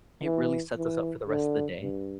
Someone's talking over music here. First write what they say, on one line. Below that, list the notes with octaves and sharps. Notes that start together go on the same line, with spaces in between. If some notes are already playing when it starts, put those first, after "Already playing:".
it really sets us up for the rest of the day.
E3
E3
D3
G2